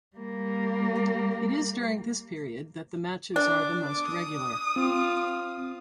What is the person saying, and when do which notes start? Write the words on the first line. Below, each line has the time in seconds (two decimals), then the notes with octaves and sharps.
It is during this period that the matches are the most regular.
0.17 G3 A#3
3.36 D4 D6
4.04 D#6
4.76 C4 F4